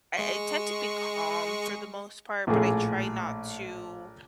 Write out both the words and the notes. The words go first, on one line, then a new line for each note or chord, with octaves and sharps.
I I tend to be calm for the most part, but I try not to,
G#3 C#6
A#1 A2 A3 G#4